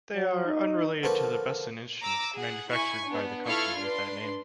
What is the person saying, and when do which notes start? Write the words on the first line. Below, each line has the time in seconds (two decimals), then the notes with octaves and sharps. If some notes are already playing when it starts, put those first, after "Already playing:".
They are unrelated to the Besson instruments manufactured by the company with that name.
0.15 F#3
0.45 D#4
1.03 D3 F3 A#3 B4 C#6
2.02 A#5 D6 E6
2.35 G#4 F#5
2.72 E4 G#5 C#6
3.06 B3 D4
3.47 E4 F4 A4 C#6 F6 G#6
3.80 D4 B4 C6